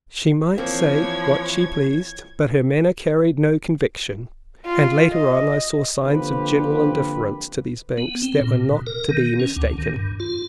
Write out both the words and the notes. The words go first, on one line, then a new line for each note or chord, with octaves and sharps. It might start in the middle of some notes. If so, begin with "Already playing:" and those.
She might say what she pleased, but her manner carried no conviction, and later on I saw signs of general indifference to these banks that were not to be mistaken.
E3 F3 A#3 C4 C#5 G#6
F4
D#5
D3 F3 A#3 C4 G4 B4
B3
C4
A#2
B2
A#4
D#3
C#4
D2
D#3
G2
F4